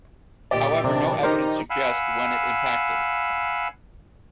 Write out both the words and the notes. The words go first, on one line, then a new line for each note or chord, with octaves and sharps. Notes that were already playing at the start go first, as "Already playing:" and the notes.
However no evidence suggests when it impacted.
A#2 D3 G4 D5 D#5 G5
C3 D#3 F#3 D4
D#4 G4 A#4 C5
F5 F#5 G#5 B5 E6